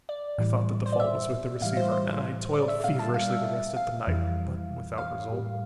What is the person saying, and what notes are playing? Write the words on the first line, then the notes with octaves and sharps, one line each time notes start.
I thought that the fault was with the receiver and I toiled feverishly the rest of the night, but without result.
D5
A2 E3 G3
C5
D5
E5
A2 E3 G3 F5
C5
C5
D5
E5
B2 G3 F5
A5
F5
E5
F5
F2 E3 G3
F5
A2 G3